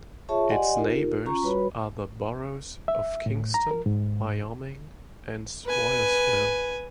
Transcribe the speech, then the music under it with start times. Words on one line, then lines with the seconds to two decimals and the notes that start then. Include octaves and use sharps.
Its neighbors are the boroughs of Kingston, Wyoming, and Swoyersville.
0.29 F4 G#4 C#5 E5 A5 C#6
0.49 G4 D5 D#5 F#5 G#5 C6
0.76 D#4 F4 G4 A#4
1.26 C#4 F4 A#5 C#6
1.43 G3 F#4 B4 C#5 B5
2.88 E5
3.26 A2
3.54 A#5
3.71 A#4
3.86 G#2
5.65 B4 G#5